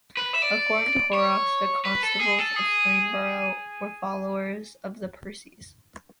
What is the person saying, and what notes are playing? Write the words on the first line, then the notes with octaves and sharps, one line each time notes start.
According to Horrox, the Constables of Flamborough were followers of the Percys.
B4
E5
D5
C#5
B4
A4
G#4
A4
G#4